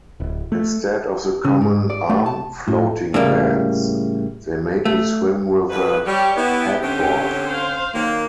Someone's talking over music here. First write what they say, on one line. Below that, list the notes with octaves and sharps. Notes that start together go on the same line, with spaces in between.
Instead of the common arm floating bands, they made me swim with a headboard.
D1
A3
C#3
G#2
D5
A3
A5
A2
A2 C#3 G3 A#3
A3
F2 B4
G3 G4 C#5
B3 E4 G4
D3 C4 C#4
C5 F5
D#3 F#3 A#3